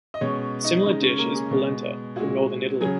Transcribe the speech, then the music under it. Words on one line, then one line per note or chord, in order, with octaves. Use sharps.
A similar dish is polenta, from northern Italy.
D#5
B2 G#3 C#4 C#5
D#4 D#5
C#3 G#3 D#4 D#5
C#4 C#5
A#3 A#4
G#4
B2 G#3
A#2 G#3 F#4
C#3 F#3 G#4